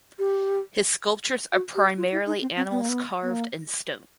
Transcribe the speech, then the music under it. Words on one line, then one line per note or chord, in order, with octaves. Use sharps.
His sculptures are primarily animals carved in stone.
G4
F#4
G4
F4
E4
D#4
C4
C4
B3
A#3
B3
B3
A#3